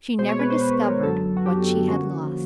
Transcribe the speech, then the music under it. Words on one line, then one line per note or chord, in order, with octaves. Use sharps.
She never discovered what she had lost.
B2 G#3 B3 C5
C#5
B4
C5
B4
A#4
F#2 D3 F#3 B3 A4
F#4
G4
D3 F3 A#3 C#4 F#4